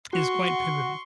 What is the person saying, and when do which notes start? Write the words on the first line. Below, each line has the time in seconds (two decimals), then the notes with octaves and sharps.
is quite pivotal.
0.13 F#4 C6 C#6